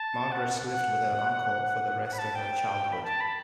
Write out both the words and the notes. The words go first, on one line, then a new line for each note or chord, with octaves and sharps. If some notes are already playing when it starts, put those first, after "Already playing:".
Margaret lived with her uncle for the rest of her childhood.
Already playing: A5
F#5
F#5
F#5
B5
A5
G5
B5
A5
B5